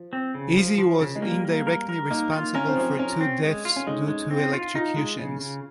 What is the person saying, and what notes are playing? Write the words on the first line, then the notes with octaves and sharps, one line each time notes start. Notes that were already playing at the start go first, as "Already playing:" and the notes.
Easy was indirectly responsible for two deaths due to electrocutions.
Already playing: F3
C4
C#3
F3
F3
C#3
G#3
G3 A#3
A#3
A#4
A#4
A#3 D#4
F4
C#4 A#4
C4
F3 C#4
C#4 A#4
C4
G#3
F4
C#4
G#3 D#4
G#3
C4
F4
D#4 F4
G#3
C#3
C#3